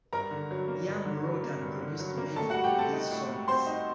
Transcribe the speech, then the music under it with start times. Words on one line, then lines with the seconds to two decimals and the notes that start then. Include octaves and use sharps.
Young wrote and produced many of these songs.
0.13 G2 A#4 A#5
0.31 D3
0.51 F#3
0.68 A#3
0.88 G2
1.06 D3
1.24 F#3
1.44 A#3
1.61 G2
1.81 D3
1.99 F#3
2.17 A#3
2.36 A2 A4 A5
2.50 G3 F#4 F#5
2.64 G4 G5
2.74 C4 A4 A5
2.93 D#4
3.11 A2
3.30 G3
3.48 C4 C5 C6
3.66 D#4